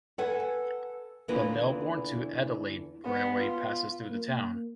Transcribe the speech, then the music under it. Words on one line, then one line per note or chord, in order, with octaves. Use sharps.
The Melbourne to Adelaide railway passes through the town.
A4 B4 F#5 G#5
E2 D3 E3 A#3 F4 B4
B3
F4
A#3